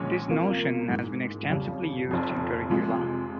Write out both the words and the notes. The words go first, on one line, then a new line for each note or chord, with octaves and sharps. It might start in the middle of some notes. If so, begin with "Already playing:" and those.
This notion has been extensively used in curricula.
Already playing: A#1 A#2 G#3 C#4
C3 F3 A#3
G#2 E3 G#3
F2 C#3 G3
F1 F2 C3
C3 F3 G#3